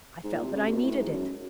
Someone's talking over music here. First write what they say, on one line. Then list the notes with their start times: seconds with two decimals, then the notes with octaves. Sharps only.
I felt that I needed it.'
0.24 G#2
0.33 A#2
0.43 C3
0.53 C#3
0.63 C3
0.73 B2
0.83 A2
0.98 G#2
1.12 F#2